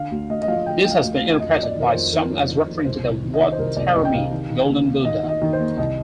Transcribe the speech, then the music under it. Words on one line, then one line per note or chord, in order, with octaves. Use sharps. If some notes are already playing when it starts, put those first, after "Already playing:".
This has been interpreted by some as referring to the Wat Traimit Golden Buddha.
Already playing: D3 F5
D2
D2 D#5
D#5
F3 F5
D3 G5
D2 G5
F5
D2
F5
D2
F2 D#5
F2 D#5
D5
D#3 A#4
C5
F2
D#3 A#4
F2
D#3
F2
C2 C5
C2
D#3
D#5
D#3
C5
C2 A#4
C2 D5
C2 D#5
G5
C3 F5
D#3
D#3
D#2
D#2
D#3 D#5
D#3
D#5
D#3
C5
D#2
C2 D#5